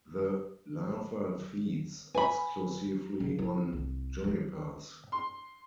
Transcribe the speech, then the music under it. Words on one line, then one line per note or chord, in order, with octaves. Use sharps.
The larva feeds exclusively on junipers.
B4 G#5 B5
C#3
E4
C2
E3
C6